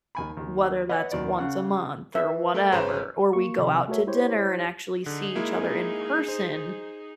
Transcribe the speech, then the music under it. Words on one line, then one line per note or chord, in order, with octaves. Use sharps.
w whether that's once a month, or whatever, or we go out to dinner and actually see each other in person
D#2 G#5 B5
D#2
B4 C#5 D#5 F#5
D#2 B2 D5
C#3 F#5
E3 E5
A3 A4 A#4
G#1 C#3 B4 C5 A#5 E7
A#3 C#6
C3 D#3 F3
A3 F#4 A4 A#4 C#5 E5
E4 G4 C5 C#5
D3 D#4 G#4
G#3 A#3 E4
C5